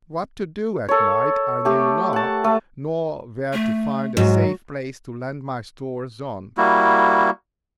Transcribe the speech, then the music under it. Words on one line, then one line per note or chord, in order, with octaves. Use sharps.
What to do at night I knew not, nor where to find a safe place to land my stores on.
A4 C#5
A3 G4
F#5 A5
A3
A3
G#2 F#3 F#4
G3 A#3 E4 F#4